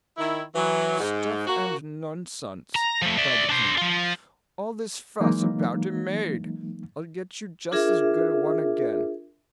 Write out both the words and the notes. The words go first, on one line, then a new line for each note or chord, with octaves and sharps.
'Stuff and nonsense', cried the king; 'all this fuss about a maid! I'll get you just as good a one again.
D#3 E4
E3 F#3
G#2
A#3 F#4
A#5
F3 A3
D5 E5
D4 C5
F3 F4
E3 F#3 G#3 A#3 D#4
D4 F4 G#4 A#4 E5